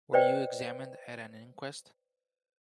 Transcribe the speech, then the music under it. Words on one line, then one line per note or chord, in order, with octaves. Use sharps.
Were you examined at an inquest?
B4 C5 D5 D#5 G5